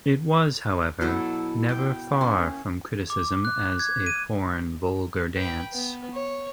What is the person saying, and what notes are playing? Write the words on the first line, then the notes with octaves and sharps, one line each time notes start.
It was, however, never far from criticism as a foreign, vulgar dance.
B2 F#3 E4 A4
G5
A#3 C#4
D6
F#6
G#6
D#7
B4 G5
B3
C#5